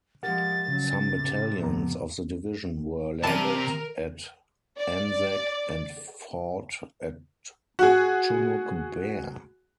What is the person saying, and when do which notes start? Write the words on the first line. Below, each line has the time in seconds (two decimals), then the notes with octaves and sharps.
Some battalions of the division were landed at Anzac and fought at Chunuk Bair.
0.23 F3 G#3 G4 A#4 F#5 A6
0.68 C#3 F#3
1.13 A2 C3
1.59 F2 B3 A#5
3.23 C3 E3 A#4 D5 A5 D#7
4.77 D5
7.79 F#4 G#4